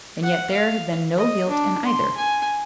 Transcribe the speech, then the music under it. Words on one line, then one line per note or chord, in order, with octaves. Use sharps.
And yet there had been no guilt in either.
F#5
F5
D#5
D4
C6
G#5